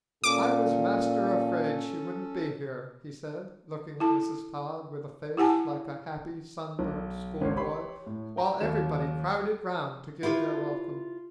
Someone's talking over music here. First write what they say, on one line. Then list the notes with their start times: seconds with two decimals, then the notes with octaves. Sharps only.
"I was master afraid she wouldn't be here," he said, looking at Mrs. Todd with a face like a happy sunburnt schoolboy, while everybody crowded round to give their welcome.
0.24 A#2 C#4 A4 D6
4.00 E4 A4 A5
5.37 E4 G4 F#5 G#5 A5
6.79 B1
7.41 G#1 C#2 C#5 C6
7.56 G4 C#5 B5 C6
8.06 A2
8.37 G5 A#5
8.60 D#2 F#3 C#5 E7
10.23 E4 F4 G4 A4 B4